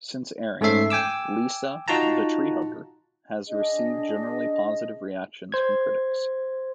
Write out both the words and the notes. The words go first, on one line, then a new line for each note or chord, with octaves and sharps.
Since airing, "Lisa the Tree Hugger" has received generally positive reactions from critics.
G#2 A3 C#4 A4 E5 C7
G5 G#5 D6 E6
D#4 F4 F#4 F#5 A5 A#5
D4 G#4 D#5
C5 G#6